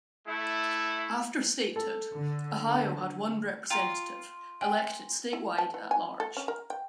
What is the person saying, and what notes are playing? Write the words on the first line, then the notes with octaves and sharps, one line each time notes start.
After statehood, Ohio had one representative, elected statewide at-large.
A3 E4
A4
D3
F4 G5 A#5
G5 G#5
E4
A5
E3
G#5
A4
C#4
A#4
G5